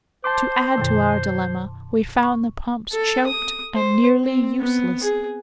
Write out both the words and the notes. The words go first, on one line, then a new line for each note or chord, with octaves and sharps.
To add to our dilemma, we found the pumps choked and nearly useless.
C5 A5 C6 D6
F#2 B2 D#3
C#6
A4
D#6
C5
C4
B3
G#4